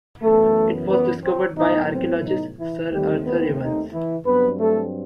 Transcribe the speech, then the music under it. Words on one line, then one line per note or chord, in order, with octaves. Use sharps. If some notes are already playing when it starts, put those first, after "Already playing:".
It was discovered by archaeologist Sir Arthur Evans.
F#2 E3 A3 B3 A4
B3 B4
C4
A2 F#3 B3 D#4
C4
D#4
E3 E4
D#2 D#3 G3 A3 C4 G4
B3 B4
D#4
E3 E4
G2 F#3 B3 C4 B4
A3 A4